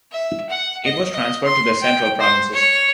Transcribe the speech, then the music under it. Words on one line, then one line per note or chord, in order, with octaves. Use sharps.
It was transferred to the Central Provinces.
E5
F#5
D#5
D#5
C6
G5
C5
C#5